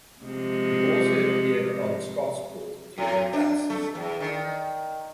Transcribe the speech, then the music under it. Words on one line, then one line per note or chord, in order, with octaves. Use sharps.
He also appeared on "Scotsport" during that season.
C3 F3 G#3
A2
D4
A3
E2
D#3